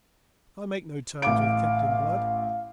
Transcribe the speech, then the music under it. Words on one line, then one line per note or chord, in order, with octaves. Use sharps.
I make no terms with Captain Blood.
A1 F5 D6 D7